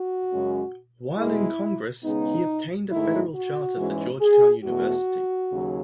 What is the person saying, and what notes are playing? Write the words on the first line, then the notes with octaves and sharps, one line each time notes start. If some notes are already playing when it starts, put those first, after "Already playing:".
While in Congress, he obtained a federal charter for Georgetown University.
Already playing: F#4
F#2 C#3 G#3 C#4
E2 B2 G#3 E4
C#3 G#3 B3 D#4
G#2 D#3 A3 D#4 E4
F#4
G#2 E3 G#3 C#4
G#4
E2 B2 A3 F#4
D#2 C#3 F#3